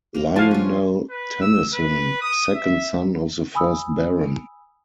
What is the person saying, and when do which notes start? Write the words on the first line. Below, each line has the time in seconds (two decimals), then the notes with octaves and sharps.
Lionel Tennyson, second son of the first Baron.
0.14 A#3 A#5
0.36 F3 F#4 F5 G#5 A5
0.51 C#4 F4
1.10 B4
1.41 E6
1.74 B4
2.22 D#6
2.53 E5
3.55 G#5 B5 D#6 E6